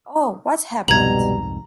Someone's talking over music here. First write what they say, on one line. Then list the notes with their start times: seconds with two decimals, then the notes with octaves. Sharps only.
Oh, what's happened?
0.88 C2 F2 G#2 B2 G3 A#5 G#6 F#7